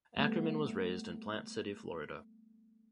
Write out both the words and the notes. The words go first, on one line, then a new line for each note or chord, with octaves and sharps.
Ackerman was raised in Plant City, Florida.
G3 A3 B3